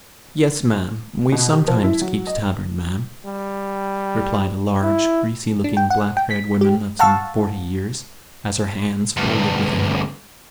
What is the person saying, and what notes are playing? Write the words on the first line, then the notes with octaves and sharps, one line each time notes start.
"Yes, ma'am; we sometimes keeps tavern, ma'am," replied a large, greasy-looking, black-haired woman of some forty years, as, her hands folded within her up-turned apron, she courtesied to W----.
B2
G4
F3
E4
F#3
D#5
G3
E4
D4
G5
F#5
G5
B6
G4
F5 F#5 A5 C#6 E6
D2 G2